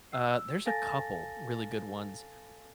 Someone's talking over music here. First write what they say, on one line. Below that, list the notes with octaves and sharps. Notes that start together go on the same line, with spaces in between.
uh, there's a couple really good ones.
E6 C7
A4 F5 G#5 A5 A6 A#6